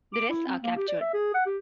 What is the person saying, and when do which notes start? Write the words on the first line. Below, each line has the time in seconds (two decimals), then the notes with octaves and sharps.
The rest are captured.
0.13 D6
0.29 E4
0.47 C4
0.62 A#3
0.77 G4
0.88 D5
1.01 E5
1.14 G#4
1.34 F#5
1.46 G4